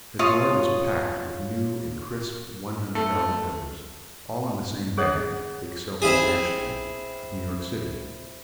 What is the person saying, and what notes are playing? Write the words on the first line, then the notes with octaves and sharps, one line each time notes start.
The drawer was packed with new and crisp one-hundred-dollar bills, all on the same bank, the Excelsior National, of New York City.
F4 C#5 D#6
A3
G#4 A4 C5 C#5 F#5
C4 E4 G#4